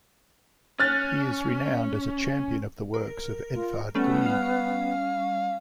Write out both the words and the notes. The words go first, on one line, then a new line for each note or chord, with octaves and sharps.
He is renowned as a champion of the works of Edvard Grieg.
C#4 F6 F#6 A6
A#4
F4
G3 A3 B3 C#4
F5